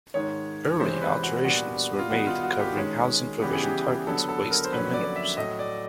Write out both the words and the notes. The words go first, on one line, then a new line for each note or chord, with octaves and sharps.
Early alterations were made covering housing provision targets, waste and minerals.
G#2 D#3 G#3 C#5
E2 C3 E3 G#3 C#4 C5
B4
F#4
A#2 G3 B3 D4 F#4
F4
D#3 G3 B3 D#4 F#4
F4
F#4
G4
D#3 G#3 C#4
C#3 E3 G3 B3 E4 G4
G#4
G4
D3 F#3 B3 A4
A4
A#4
C5
F2 D3 F#3 A#3 C#4 B4
D5
E5
A2 F#3 A3 D#5
D5